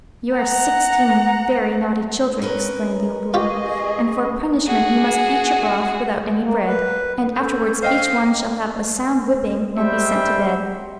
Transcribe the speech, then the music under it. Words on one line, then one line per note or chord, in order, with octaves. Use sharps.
"You are sixteen very naughty children!" exclaimed the old woman; "and for punishment you must eat your broth without any bread, and afterwards each one shall have a sound whipping and be sent to bed."
F#5 A#5
C#4 A#4 B4 C#5
F4 G4 G#4 D#5 C#6
F#4 G#4
A#3
B4
C#4 A4 G6
C5 D#5 F5 G5
G3 G#3 C5 E5 G5